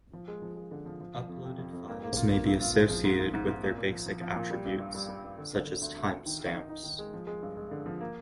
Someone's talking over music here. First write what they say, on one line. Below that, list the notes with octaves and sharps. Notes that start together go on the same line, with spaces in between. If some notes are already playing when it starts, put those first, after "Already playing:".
Uploaded files may be associated with their basic attributes, such as time stamps.
F3
G#3
F3
G#3
D3
F3
F3
F3
F2
C3
F2
F2
A#3
A#3
F4
A#3
G2
F4
G#3
F3
G#2
G#2
G#2
G#2
A#2
A#2
F3
F3
F3
A#2
G3
G2
G2
G3
G3
G2
D3
D3
D3
D2
D2
D2
D#3
D#3
D#4
D#4
D#3
G#3
F3
G#3
G2
G#3
D3
F3
A#3